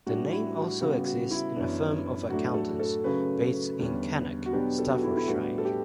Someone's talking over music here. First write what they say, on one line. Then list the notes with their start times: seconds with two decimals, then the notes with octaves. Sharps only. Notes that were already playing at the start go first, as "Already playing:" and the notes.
The name also exists in a firm of accountants based in Cannock, Staffordshire.
0.07 A2 G3 D4 F#4
0.32 E4
0.57 F#4
0.81 C#3 G3 B3 F#4
1.05 F#4
1.31 E4
1.56 F#2 E3 B3 D4
2.29 A2 F#3 A3 D4 F#4
2.54 A4
2.79 A4
3.04 C#3 F#3 A3 C#4 B4
3.79 E2 D3 G3 C#4
4.46 F#4
4.52 B2 F#3 B3 D4 G4
4.78 A4
4.94 F#4
5.03 E4
5.16 E4
5.27 A2 G3 B3 D4 F#4
5.58 A4
5.65 G4